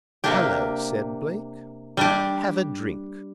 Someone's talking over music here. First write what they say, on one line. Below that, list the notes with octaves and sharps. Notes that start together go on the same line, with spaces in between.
"Hallo," said Blake, "have a drink."
C3 A#3 D4 G4
G3 D4 G4